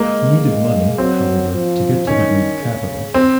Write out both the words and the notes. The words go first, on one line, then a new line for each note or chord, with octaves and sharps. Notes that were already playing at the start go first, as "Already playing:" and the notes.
He needed money, however, to get to the Greek capital.
Already playing: G#3 A#3
G#3
F#3 C4
F3
D#3 C#4
C#3
C4